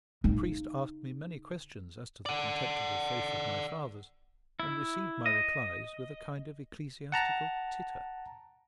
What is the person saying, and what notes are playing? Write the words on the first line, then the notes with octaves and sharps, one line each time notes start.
The priest asked me many questions as to the contemptible faith of my fathers, and received my replies with a kind of ecclesiastical titter.
C#3 D#4
D5 F#5
E4
D#5
F#5 A5 A#5